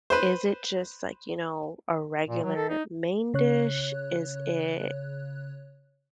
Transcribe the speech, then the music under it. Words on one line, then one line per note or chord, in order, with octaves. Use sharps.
is it just, like, you know, a regular main dish? Is it
B4 C5
A#2
F#3
A4
D#4
C#3 C#5 F#6